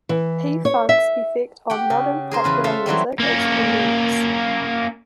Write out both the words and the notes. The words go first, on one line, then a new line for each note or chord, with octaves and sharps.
P-Funk's effect on modern popular music is immense.
E3
C#5
E5
G4 F#5 G5
C#3
G#4 A#4 C5
E2 C#3 B4
F4 A4 C5 E5 F5
E3 F#3 G3 C4
A#3 C#4